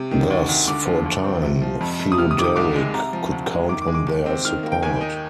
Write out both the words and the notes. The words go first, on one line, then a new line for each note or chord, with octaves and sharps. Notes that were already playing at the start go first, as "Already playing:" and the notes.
Thus, for a time, Theoderic could count on their support.
Already playing: C3
D#3
D2
D2
D3 D6
F3
D2
C4
C3
F3
F2
F2
D#6
C3 F6
D#6
D#3 D6
D#6
C2 D6
G#3
C3 A#5
F3
D2
G#3
D#3 D6
D6
G#3
D6
D#2
C4
D#3 F6
A#3
G5
D#2 G#5
D#4